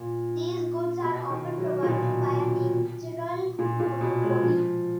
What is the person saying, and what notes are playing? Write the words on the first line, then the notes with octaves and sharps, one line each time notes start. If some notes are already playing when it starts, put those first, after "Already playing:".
These goods are often provided by a natural monopoly.
Already playing: A#2
B2
D#3
F#3
A#2
B2
A#2
A#2
B2
G#3
F3